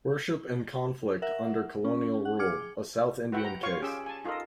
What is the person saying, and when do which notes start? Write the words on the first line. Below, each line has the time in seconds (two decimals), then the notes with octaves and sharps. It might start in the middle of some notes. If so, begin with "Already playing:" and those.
Worship and Conflict Under Colonial Rule: A South Indian Case.
1.22 A#4 E5 F#5
1.84 C#4
2.25 F#5
2.39 G#4 D6 F6 C#7
3.32 F#4 B4 E5 F#5 G5
3.45 A#5
3.63 F4 C#5 F5 C#6
3.82 C#4 G4 G#4 E6
4.06 G#5 A5
4.25 D#4 F4 A4 A#4 D#5